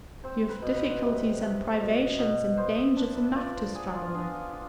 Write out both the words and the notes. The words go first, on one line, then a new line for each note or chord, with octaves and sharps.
You have difficulties, and privations, and dangers enough to struggle with.
C4 C5
B4
B2
B4
C3
C3
B2
B2
B3 C5
E5
D4 E5
B4
F4 D5
C5
B3 G#4
F4
D4 G#4
F4